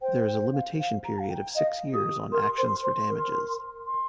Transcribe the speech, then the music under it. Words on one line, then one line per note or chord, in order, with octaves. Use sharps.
There is a limitation period of six years on actions for damages.
C5 G5
G5
F5
F5
A#5
F5
G5
D#5 F5
G4 D#6
A#4 C6
C5 C6
C5 C6
A#4
C6